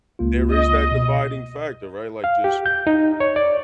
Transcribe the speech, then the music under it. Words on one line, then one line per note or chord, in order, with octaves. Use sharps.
there is that dividing factor, right, like, just
C#2 A#3 F4
D#5
B2
F5
G4
G6
D#4
C#5
D5